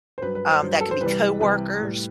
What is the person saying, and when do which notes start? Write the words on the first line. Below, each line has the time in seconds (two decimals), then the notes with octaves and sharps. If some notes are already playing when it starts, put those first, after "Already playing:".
um, that can be coworkers.
0.18 C5
0.22 G2 F#3 B4
0.35 B4
0.49 C5
0.62 G2 F#3 C5
0.71 B4
0.81 A4
0.91 C5
1.01 C2 C3 E3 G3 B4
1.40 C2 C3 E3 G3 B4
1.80 A2 G3